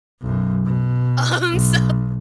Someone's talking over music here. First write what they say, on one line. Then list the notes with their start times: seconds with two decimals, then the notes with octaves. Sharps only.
Um, so,
0.21 B1 F#2
0.65 B2
1.52 B1